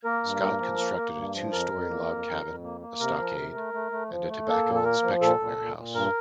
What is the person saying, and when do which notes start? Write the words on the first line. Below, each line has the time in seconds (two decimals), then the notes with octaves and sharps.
Scott constructed a two-story log cabin, a stockade, and a tobacco inspection warehouse.
0.05 A#3 A#4
0.24 G2
0.42 A#3
0.60 F3
0.78 A#3
0.97 A#3
1.15 G2
1.34 F3
1.53 F2 A#4
1.71 F2
1.89 A#3
2.08 F2
2.26 F2
2.45 F2
2.64 A#3
2.81 A#3
3.00 C3 A#4
3.18 F3
3.36 C3
3.55 A3
3.74 A3
3.92 A3
4.10 F3
4.29 A3
4.47 A#3 A4
4.65 A#2
4.75 A4
4.84 A#3 A#4
5.03 F3
5.21 A#2 A4
5.40 A#2
5.58 A#2
5.77 A#2
5.95 G2 A#4